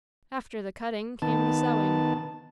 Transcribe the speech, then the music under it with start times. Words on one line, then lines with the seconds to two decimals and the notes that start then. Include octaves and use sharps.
After the cutting came the sewing.
1.22 D#3 B3 A5